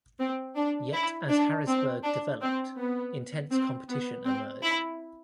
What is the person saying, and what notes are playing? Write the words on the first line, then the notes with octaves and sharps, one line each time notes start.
Yet as Harrisburg developed, intense competition emerged.
C4
D4
E4
D4
C4
D4
C4
B3
C4
B3
C4
E4